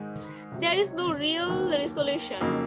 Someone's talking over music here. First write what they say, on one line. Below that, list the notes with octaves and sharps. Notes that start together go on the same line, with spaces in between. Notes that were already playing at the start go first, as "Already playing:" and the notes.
There is no real resolution.
Already playing: G#2 D#3 G#3 D#4
C#2 C3 F#3
D#2 D#3 F#3 A#3
F2 C#3 F#3 A#3 D#4